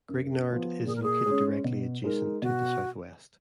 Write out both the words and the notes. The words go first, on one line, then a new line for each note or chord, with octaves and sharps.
Grignard is located directly adjacent to the Southwest.
F#2
F3 B3
A#2 G#4
A#4
G#4
G#3 C#4
B2
G#3 D#4 A#4
B2 F#4